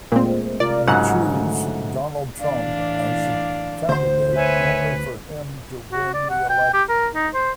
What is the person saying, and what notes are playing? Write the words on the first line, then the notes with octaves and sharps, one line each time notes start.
The choose Donald Trump as a candidate, only for him to win the election.
A#2 G#3 A3 C4
C3 F4 A#4 D5
G#2 C#3 F#3 F#5
D3 A3
A2 E3 D4 D5 F5
D2 C5 C6
B4 C#5 E5 G#5
F#4
D5
F#5
G5
G4
A#4
D#4
C5